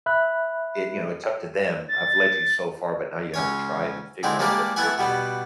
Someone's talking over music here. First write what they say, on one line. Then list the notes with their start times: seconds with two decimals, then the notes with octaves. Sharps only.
i you know, it's up to them. "I've led you so far, but now you have to try it and figure out what works for you."
0.06 E5 B5 F#6
1.88 A6
3.34 C#2 C#4 C#5
4.23 D3 G#3 C4 D#4 E4
4.39 G3 G#3 A#3 D4 G4 A#4
4.76 A3 B3 E4 E5 F#5 G#5
4.98 B2 G3 B3